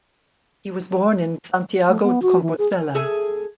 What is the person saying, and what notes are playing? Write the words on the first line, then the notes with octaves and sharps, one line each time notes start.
He was born in Santiago de Compostela.
A3
B3
F#4
E3
G#4
G#4 A4 E5